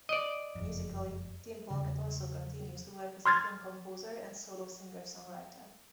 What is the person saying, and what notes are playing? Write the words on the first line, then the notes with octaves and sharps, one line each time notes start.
Musically, Tim Polecat also continues to work as a film composer and solo singer-songwriter.
D5 D#5
F#1 F2
E2 C#3
C6 F6 G#6 A6